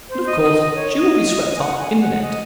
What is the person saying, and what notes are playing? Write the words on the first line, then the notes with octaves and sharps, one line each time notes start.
But, of course, she will be swept up in the net.
C5
D#5
D#5
C#5
D#5
G#5
F#5
G#5
F#5
D#5